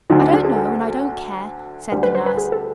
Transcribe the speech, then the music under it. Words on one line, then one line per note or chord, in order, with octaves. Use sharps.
"I don't know and I don't care," said the nurse.
D2 D3 F#3 D#4
D4
D4
G#4
A4
D2 D3 G3 A#4
B4
C5
B4
G#4
A4